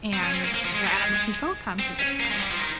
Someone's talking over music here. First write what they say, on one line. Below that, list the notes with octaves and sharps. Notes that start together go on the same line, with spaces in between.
and, you know, animal control comes and gets them.
C4
C#4
C4
A#3
A#3
F3
G#3
G3
G#3
C4
C#4
A#3
G#3
F3
G3
F3
D#3